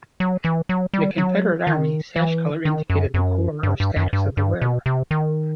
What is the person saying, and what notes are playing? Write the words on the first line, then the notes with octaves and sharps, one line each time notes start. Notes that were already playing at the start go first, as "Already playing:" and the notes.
In the Confederate Army, sash colour indicated the corps or status of the wearer.
F#3
E3
F#3
G3
F#3
D#3
E3
D#3
F#2
F#2
G2
G2
F#2
G2
G2
B2
C3
D#3